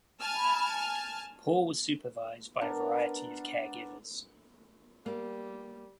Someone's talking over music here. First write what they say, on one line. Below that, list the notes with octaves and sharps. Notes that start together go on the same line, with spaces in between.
Paul was supervised by a variety of caregivers.
G#5 A5 F6
B3 D4 A#4
G3 A#3